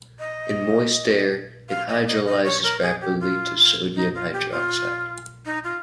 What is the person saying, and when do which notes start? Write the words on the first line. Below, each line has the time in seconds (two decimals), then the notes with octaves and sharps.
In moist air, it hydrolyzes rapidly to sodium hydroxide.
0.19 D#5
1.69 F5
1.89 D#5
2.07 D#5
2.26 D#5
2.45 C#5
2.63 A#4
2.82 G#4
3.01 G4
3.20 F4
3.96 D#4
4.15 F4
4.33 G4
4.52 F4
5.46 D#4
5.64 F4